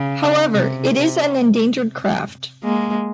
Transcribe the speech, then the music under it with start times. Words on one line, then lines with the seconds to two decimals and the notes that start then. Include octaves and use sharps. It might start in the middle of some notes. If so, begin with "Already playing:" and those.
However, it is an endangered craft.
Already playing: C#3
0.53 C3
0.94 C3
2.63 G#3 A#3